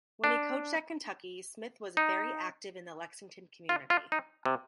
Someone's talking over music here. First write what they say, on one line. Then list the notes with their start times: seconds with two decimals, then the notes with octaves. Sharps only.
When he coached at Kentucky, Smith was very active in the Lexington community.
0.24 D4
1.97 D#4
3.69 F4
3.90 F4
4.12 D#4
4.46 C3